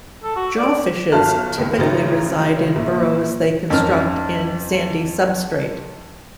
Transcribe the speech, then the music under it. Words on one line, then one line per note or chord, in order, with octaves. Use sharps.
Jawfishes typically reside in burrows they construct in sandy substrate.
A4
F#4
D5
G1 F#3 F5 A5 F6 F#6
C#2 D#3
A1 C#3 F#3 D#4 C5 A6
A#1
F2 C#4 D#4 A#4 F6